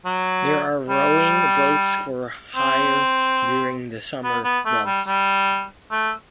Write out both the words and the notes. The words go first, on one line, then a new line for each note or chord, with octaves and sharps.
There are rowing boats for hire during the summer months.
F#3
G3
C4
B3
B3
A3
G3
G3
A3